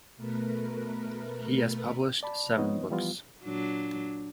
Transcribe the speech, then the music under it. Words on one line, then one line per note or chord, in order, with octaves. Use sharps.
He has published seven books.
B2 A3 A#4 B4
D5 A5 B5
F3 B3 C4 D#4 C#5 D#5
E3 F3 G3 B3 F4
A#2 F#3 D4